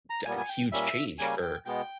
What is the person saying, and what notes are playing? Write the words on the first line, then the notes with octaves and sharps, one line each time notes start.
d huge change for
A#5
A#2 G3 B3 G#5
G#5
G5
A#2 G3 C#4 E5
C#3 G3 A#3 C#4 G#5
G5
B2 G#3 B3 G5